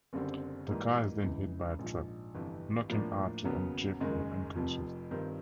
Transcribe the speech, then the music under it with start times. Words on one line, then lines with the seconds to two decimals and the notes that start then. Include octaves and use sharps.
The car is then hit by a truck, knocking Arthur and Jeffrey unconscious.
0.13 F#1 F#2 D3 G3 C4
0.68 G#2 E3 G3 A#3
1.24 C#2 C#3 E3
1.79 A#1 G#2 F3
2.34 G1 F2 C3 E3
2.90 A2 F3 A#3 D4
3.45 D#2 C#3 F#3 B3
4.00 F#1 F#2 D#3 G#3
4.56 F1 F2 C3 F3
5.11 G2 D#3 G3 C4 F4